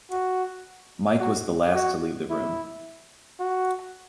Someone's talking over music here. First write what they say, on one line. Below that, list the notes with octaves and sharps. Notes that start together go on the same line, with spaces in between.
Mike was the last to leave the room.
F#4
F#4
F#4
E4
F#4